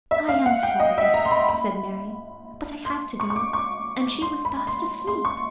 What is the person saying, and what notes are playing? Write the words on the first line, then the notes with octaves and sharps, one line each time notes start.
"I am sorry," said Mary; "but I had to go, and she was fast asleep."
E5
F5
F#5
G5
D#5
E5
A#5
C6
B5
B5
C6
C#6
C#6
D6
C#6
C6
B5
C6
C6
C#6